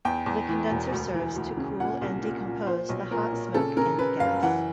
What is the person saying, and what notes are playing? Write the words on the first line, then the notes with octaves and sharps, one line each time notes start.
The condenser serves to cool and decompose the hot smoke and gas.
E2 G5
E2
E3
E1
D2
E3
D2
C#3
A#2 F#5
C2
A#2
A#2
A#2 C5
B1
A#2 A#4
A#2
C#3 A4
C#3 A#4
C#3 B4
F#1 F5
E3 F#5